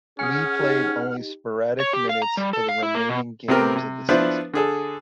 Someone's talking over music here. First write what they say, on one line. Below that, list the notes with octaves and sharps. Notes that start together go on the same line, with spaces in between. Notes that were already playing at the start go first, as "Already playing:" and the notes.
Lee played only sporadic minutes for the remaining games of the season.
C#4 G#4 F#5 G#5 D#6 F6
D#4 G4
C#5
G4
F5
A#5
G3
A4
F5
E4
A#3
B2
C3 A3 B3 C4 G4 A#4
C3
F3 B3 D4 E4 B4 C5
D3 G#4 A4